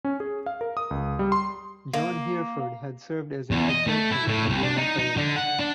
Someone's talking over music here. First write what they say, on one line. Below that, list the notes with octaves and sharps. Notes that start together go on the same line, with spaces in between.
John Hereford had served as an adjutant under Lafayette.
C#4
G#4
F5
A#4
D#6
C#2
G3
C6
A#3
E2
D#5
A3
E4
A2
C2
D4
D#4
D#4
D3
F#5
D4